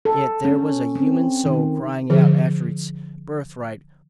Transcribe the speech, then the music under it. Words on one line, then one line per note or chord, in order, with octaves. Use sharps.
Yet there was a human soul crying out after its birthright.
A4
C#4
C4
D#3
D3 F3 G#4 C5